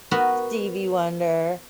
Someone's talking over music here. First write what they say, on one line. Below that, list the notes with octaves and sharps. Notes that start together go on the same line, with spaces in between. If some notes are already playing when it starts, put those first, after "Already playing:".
Stevie Wonder.
B3 F#4 A#4 B4